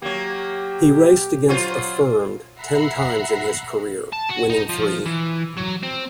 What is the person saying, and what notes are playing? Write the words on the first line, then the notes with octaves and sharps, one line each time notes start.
He raced against Affirmed ten times in his career, winning three.
F#3 A#3 G4
F#3 F4 C5
E5 F#5 A#5 B5 C7
A5
F#4
D#4
F3
E3
F#3
C4